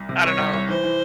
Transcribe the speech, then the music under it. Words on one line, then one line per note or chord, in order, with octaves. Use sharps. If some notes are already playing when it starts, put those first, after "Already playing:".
I don't know,
Already playing: C2
C3
C2 C#5
C2
C2
E3 C5
E3